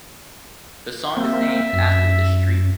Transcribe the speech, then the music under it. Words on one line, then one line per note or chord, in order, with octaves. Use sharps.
The song is named after this street.
A#3 C4 E5
F#2